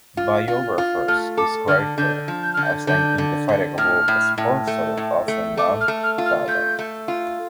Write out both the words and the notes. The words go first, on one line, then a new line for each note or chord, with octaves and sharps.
Biographers describe her as "an indefatigable sponsor of unknown talent".
F4
F4
F4
A3 F6
A4 D6
D3 F6
D3 G6
F3
G6
D3 F6
G6
D3 G6
D3
D3
A2 F6
A2
A2
A3
A2
A3
A3 D6
F6
A3
F6
F4
F6
A3 G6
A3
F4